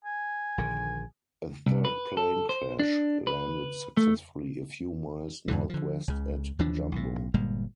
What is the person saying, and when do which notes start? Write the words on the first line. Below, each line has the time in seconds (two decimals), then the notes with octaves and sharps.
A third plane crash-landed successfully a few miles northwest at Jumbo.
0.05 G#5
0.58 A#1 D3 D#3
1.67 C2
1.85 B4
2.17 A4
2.49 C5
2.79 D4
3.27 B4
3.97 A3
5.48 E2 G#2 D3 E3
5.70 D3 F3
6.08 C#2 C#3
6.59 D#2 E3 F3 D4
6.92 B1 A2
7.34 G1 A#2 G3 G#3